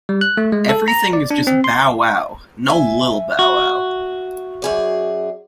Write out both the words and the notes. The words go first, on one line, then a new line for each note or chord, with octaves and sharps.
Everything is just 'Bow Wow,' no 'Lil' Bow Wow.
G3
F#6
A3
G#3
A4
A#5
D5
D4
C4
C6
E5 G#5
F#4
F#2 G#4 D5